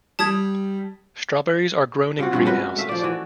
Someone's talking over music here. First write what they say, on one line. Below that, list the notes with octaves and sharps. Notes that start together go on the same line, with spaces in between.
Strawberries are grown in greenhouses.
G3 A5 D#6 G#6
C3 F4 F#4
G2 C3 F3
G#3 C#4 F#4 B4
A3 E5 F5
F3 D5
E3 F#4 D5